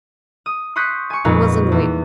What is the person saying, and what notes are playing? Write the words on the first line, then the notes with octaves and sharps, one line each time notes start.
He was annoyed.
D#6
C6 C#6 D#6 F#6 G6 B6
G#5 C#6
F2 A#2 G3 G#3 B3 D#4
E2